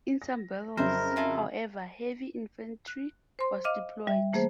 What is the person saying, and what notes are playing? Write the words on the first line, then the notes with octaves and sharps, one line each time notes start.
In some battles, however, heavy infantry was deployed.
A#6
F2 C#3 F#3 E4 A#4 C5
E4 F4 A4
F#6
C5 C6
D#5 F5 D6 F6
G3 E5
E3 A3 A#3 G#4 C5